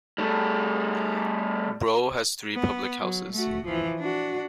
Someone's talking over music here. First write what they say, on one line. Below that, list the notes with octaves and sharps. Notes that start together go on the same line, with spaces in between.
Brough has three public houses.
G3 A3
B3
F#3
A3 F#4
E3 F3
D4 F#4